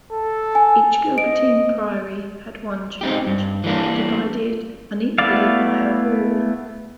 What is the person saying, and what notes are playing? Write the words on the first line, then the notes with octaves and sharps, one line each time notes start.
Each Gilbertine priory had one church, divided unequally by a wall.
A4
G#5
D#5 D7
C4 D#4 G4
G2
E3 G3 A#3 D4
A3 B3 E4 D5 F5